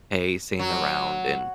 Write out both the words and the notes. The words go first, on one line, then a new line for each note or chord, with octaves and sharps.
hey, sitting around and
F#3